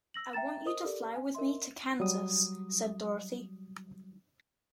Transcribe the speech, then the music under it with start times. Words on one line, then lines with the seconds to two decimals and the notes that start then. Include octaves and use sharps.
"I want you to fly with me to Kansas," said Dorothy.
0.14 E6 A#6 F#7
0.33 E5 G5 A#5 A6 E7
0.65 A#4 C5 D#5 D#6
0.84 G4 A4 A#4 D5
1.16 G#5
1.35 A#4 D#5 E5 C6
2.00 F#3 G3 D#6